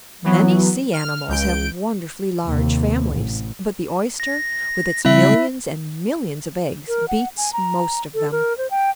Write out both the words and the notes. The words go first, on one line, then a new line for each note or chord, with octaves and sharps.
Many sea-animals have wonderfully large families, but the Oyster, with its millions and millions of eggs, beats most of them.
E3 F#3 B3
F6
C#2 G6 D7
D#2 C3
A1
A#6
C#3 G3 C4 E4 E5
A#4
F#5
G#5
A#5
A4
A#4
C5
G5